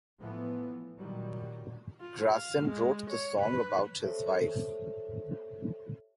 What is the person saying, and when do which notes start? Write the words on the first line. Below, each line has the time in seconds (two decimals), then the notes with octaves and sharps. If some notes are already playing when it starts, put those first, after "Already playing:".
Gracin wrote the song about his wife.
0.19 A2 E3 F3 B3
0.98 A#2 D#3 F#3 G3
2.00 F4
2.33 F5
2.69 G#3
3.10 C#5
3.40 B4
4.02 G4 A4 C5 C#5 E5